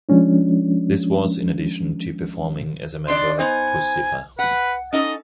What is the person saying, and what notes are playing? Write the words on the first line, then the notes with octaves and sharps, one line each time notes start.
This was in addition to performing as a member of Puscifer.
F3 G#3 C#4 D4
D#3 D4 D5 C6
B3 D#4 C5 G#5
B4 F#5
C#4 D#4 A4 D#5